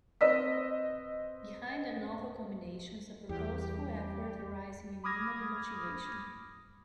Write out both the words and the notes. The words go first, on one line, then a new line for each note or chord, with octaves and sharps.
Behind that novel combination is a purposeful effort arising in human motivation.
C4 B4 D#5 E6 B6
E2 G3 G4
B5 D6 D#6 F6 G#6 A#6